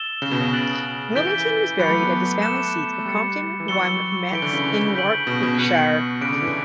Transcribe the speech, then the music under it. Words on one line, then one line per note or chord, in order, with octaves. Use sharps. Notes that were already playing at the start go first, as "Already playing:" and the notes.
Wilmington was buried at his family seat of Compton Wynyates in Warwickshire.
Already playing: E6 A6 E7 G7
C#3
B2
C#3
F#6 A6 D7 F#7
E3 G6 B6 D7 G7
F#3 B5 D6 F#6 C#7
A3
B3
A3 D6 F#6 C#7 E7
A3
G3 B5 F#6 A6 C#7
E3
F#3 C#6 E6 A6 C#7 G7
E3 C#6 G6 B6 D7 G7
D3
C#3
G6 B6 D7 F#7
B2
B2
B2 F#6 C#7 F#7
C#3 D6 F#6 B6 D7
D3
E3